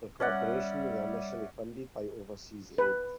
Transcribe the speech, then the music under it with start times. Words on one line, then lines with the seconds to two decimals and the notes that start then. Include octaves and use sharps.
The corporation was initially funded by overseas aid.
0.20 G3 C#4 D5 E5 F#5
2.78 B4